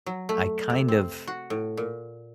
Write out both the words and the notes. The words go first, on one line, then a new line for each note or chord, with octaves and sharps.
I kind of
F#3
A3
C3
C4
F#4
A2
A#2